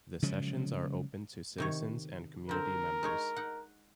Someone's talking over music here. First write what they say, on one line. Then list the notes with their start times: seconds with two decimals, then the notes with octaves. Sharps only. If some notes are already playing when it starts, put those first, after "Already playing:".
The sessions are open to Citizens and community members.
0.22 C#3 F3 F#3 G#3
1.58 C3 D#3 C#5
2.49 D3 C4 A#4
3.03 G#3 D#4 C#5
3.36 D#4 F#5